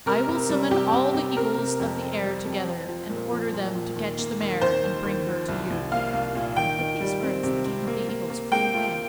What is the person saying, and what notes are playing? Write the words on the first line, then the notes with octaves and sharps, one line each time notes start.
I will summon all the eagles of the air together, and order them to catch the mare and bring her to you.' And with these words the King of the Eagles flew away.
C3 A#4
C3
G3
C3 G4
C3
C3
C4 A#4
C3
F2
C4
G3
F2
C4
F3
A#2
F3
A#2
A#2
D#2
A#3
D#2
D#2 C5
D#2
D#2
F3
C2
C2
A#3 F5
C2
A#2
D#3 G5
D#3
G3
C4
C3
C4
A#3
A#3
A#3
A#3 G5
F4